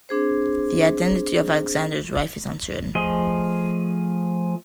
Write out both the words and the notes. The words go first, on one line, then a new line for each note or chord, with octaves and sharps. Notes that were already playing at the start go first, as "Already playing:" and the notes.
The identity of Alexander's wife is uncertain.
C4 D4 G#4 C5
F3 A3 G#4 D#5